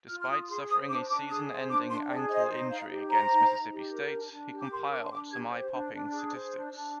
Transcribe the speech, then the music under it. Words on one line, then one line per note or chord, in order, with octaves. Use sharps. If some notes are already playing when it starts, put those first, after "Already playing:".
Despite suffering a season-ending ankle injury against Mississippi State, he compiled some eye-popping statistics.
F4 F6
F6
F4 D#6
G#4 C6
C5 D#6
D4 D6
D4 D6
G#4 D#6
C5
D4 D6
D4 C6
G#4 D5
C5 D#5
D#4
D#4 F5
G4
C5 A#5
D#4
D#4
G4
A#4
D4
D4
G4
D6
A#4 C6
D4 D6
C6
D4 D6
G4 G#6
C5
D4
D4
G#4
C5
D4
D4